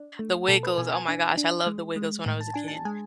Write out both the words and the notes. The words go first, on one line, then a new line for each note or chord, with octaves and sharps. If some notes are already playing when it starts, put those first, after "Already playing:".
The Wiggles, oh my gosh, I loved The Wiggles when I was a kid.
Already playing: D4
A3
B2 A4
B4
B2 G#5
G#5
D4 G#5
D4
G#3
G#3
A2
A5
D4 G#5
A5
G#3 G#5